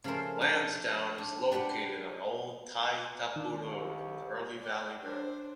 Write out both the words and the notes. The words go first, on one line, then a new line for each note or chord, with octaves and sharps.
Lansdowne is located on Old Tai Tapu Road and Early Valley Road.
C#3 F3 A3 C#4 A#4 C5
D4
D4
D4 G4 B4 F#5
D#3 D4
C2
D5 G5
D4 C5